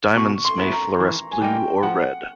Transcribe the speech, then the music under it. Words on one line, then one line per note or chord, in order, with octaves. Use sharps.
Diamonds may fluoresce blue or red.
B2 C#6
C6
F#3 B3 E4
A#5
E3
G#5
G3 A#3 D#4 G5
F3 F#5